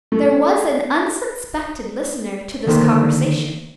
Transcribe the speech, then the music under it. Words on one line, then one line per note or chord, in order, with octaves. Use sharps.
There was an unsuspected listener to this conversation.
A3
D3 D#3 A3 A#3 C5